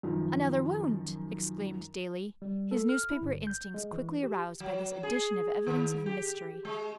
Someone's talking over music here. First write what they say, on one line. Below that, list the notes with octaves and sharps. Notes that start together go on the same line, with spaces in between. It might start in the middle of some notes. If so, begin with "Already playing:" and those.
"Another wound!" exclaimed Daley, his newspaper instincts quickly aroused by this addition of evidence of mystery.
F#2 D#3 F3
G3
A4
F6
E4
G1
G6
G#3
E3
G4
F#3
G#4
D#3
G4
G#3